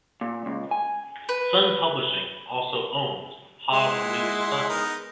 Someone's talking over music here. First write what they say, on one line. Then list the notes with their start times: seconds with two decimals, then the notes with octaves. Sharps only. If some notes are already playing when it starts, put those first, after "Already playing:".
Sun Publishing also owns the Hobbs News-Sun.
0.21 A#2
0.46 C#2
0.71 G#5
1.29 B4
3.73 G#3 E4 F#5 C6
4.69 B3 D#4 A#4